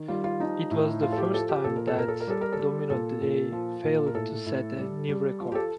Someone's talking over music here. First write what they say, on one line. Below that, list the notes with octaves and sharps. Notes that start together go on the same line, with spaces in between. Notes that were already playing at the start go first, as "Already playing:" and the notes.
It was the first time that Domino Day failed to set a new record.
Already playing: D#3
G3 F4
F4
F3 D#4
A2
F3 F4
A4
G4
F3 A4
G4
A#2 A4
A#4
A4
A#2 A#4
A4
A#4
G3 A4
A#4
A4
G3
A#2 A4
A#2
F3
A#2
A#4
A2 A4
A2
G3
G3
F3
G4
A4